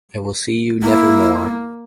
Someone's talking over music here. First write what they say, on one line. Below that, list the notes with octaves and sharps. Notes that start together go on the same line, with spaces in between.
I will see you never more.
A#3 E4